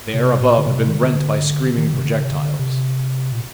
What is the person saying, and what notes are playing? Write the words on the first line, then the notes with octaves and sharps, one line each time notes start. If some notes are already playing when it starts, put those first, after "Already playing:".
The air above had been rent by screaming projectiles.
C3
A#2
D3
C3
D#3
D3
D#3
C3
D3
C3
D3
C3
A#2